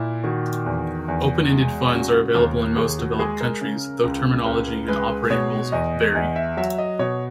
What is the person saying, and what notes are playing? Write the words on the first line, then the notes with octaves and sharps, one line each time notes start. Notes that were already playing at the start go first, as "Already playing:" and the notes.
Open-ended funds are available in most developed countries, though terminology and operating rules vary.
Already playing: A#2 E4
D#3 F#4
E2
E2
G#3
C#3 F#4
D#2 A#4
D#2 G#4
F#4
G#3 G#4
A#4
C#3
C#2
C#2 A#4
G#3 B4
B2 C#5
E2 D#5
E2 D#5
E5
F#3 E5
D#5
B2 C#5